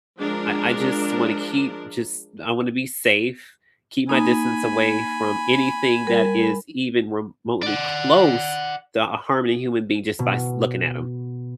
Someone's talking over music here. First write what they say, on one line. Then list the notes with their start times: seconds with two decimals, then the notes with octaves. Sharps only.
I I just wanna keep, just I wanna be safe, keep my distance away from anything that is even remotely close to harming human being just by s looking at ‘em.
0.19 F3 G#3 D4 A#4
4.09 A#3 D#4 G#5 B5
6.07 G3 A#4
7.63 D5 F#5
10.19 B2